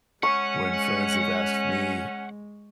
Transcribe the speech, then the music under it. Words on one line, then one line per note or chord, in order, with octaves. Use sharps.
when friends have asked me,
G#3 C#4 F#5 C#6